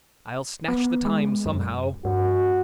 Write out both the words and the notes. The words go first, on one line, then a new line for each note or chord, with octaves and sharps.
I'll snatch the time somehow.
B3
G#3
F#2
G2 F#4